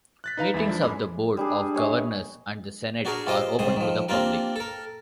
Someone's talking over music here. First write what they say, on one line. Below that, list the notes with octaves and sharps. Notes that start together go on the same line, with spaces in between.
Meetings of the Board of Governors and the Senate are open to the public.
F#6 A6 B6
D#4 B4 F5 A#5
E2 E3 G#3 E5 B5
F3 D4 E4
F#2 G#3 G#5 B5 D6
G3 D4 G#4
G#4 C#5 D#5 E5
D4 F#4 G#4 A#4
F4 G4 C5 D#5
C2 G#2 C3 C5 D#6
D#3 F3
A#3 C4 D4 F4 G4 A#4
A4 A#4